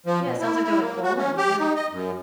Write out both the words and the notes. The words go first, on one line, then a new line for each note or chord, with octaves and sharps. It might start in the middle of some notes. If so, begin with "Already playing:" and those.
Yeah, sounds like they're, like, bowling, yeah.
F3
B2
E4
E4
A#3
F#4
C#4
G4
D#4
D#5
F#2